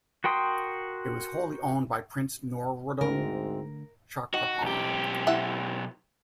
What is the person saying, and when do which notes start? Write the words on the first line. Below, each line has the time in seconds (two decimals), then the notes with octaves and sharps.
It was wholly owned by Prince Norodom Chakrapong.
0.24 F#4 A#4 G5 C6 D#6
3.01 D2 G#2 D3 A3 C4 D4 A#4
4.34 D#3 F#4
4.62 B1 G4
5.27 E4 E5 F#5